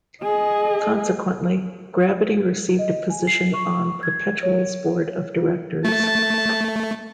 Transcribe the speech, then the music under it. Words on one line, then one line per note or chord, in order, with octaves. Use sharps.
Consequently, Gravity received a position on Perpetual's board of directors.
G#4 D#5
D#5
G#5
C7
C#6
G#6
C#5
F4
A3 A5